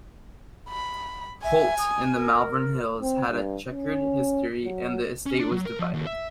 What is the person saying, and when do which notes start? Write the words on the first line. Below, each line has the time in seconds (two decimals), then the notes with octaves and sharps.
Holt, in the Malvern Hills, had a chequered history and the estate was divided.
0.69 B5
1.44 E5 G#5
1.79 D#6
2.15 A#4
3.02 C4
3.30 G2
3.70 C#4
4.64 F#3
5.26 C#4
5.40 D4
5.52 F#3
5.65 A#4
5.79 F3
5.94 D#2
6.07 E5